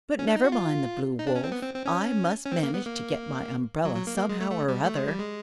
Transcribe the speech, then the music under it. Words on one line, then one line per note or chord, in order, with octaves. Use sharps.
"But never mind the Blue Wolf; I must manage to get my umbrella, somehow or other."
C#4
D4
D#4
F#4
F4
D#4
D4
C#4
C4
B3
C4
C4
C#4
C#4
C4
A#3
B3
A#3
F#3
F#3
A#3
A#3
G#3
A3
A3
G3
A3
G#3
G3
G#3